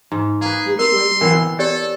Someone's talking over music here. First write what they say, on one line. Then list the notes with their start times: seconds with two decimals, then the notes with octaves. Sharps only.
"Which way now?"
0.12 G#2
0.41 A#3 G#4 B4
0.79 A#4 C6
1.21 E3 B3 A#4 G5
1.59 G4 A4 C#5 D5